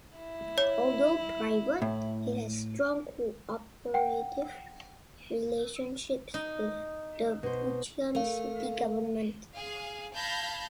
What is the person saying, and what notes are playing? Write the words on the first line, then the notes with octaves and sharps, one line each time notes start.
Although private, it has strong cooperative relationships with the Bucheon city government.
E4
C#5
A2
F#5 G5
D#4
B2 C5
A3 A#4 F5
G#4 F5
F5 A5 B5 G6 G#6 A#6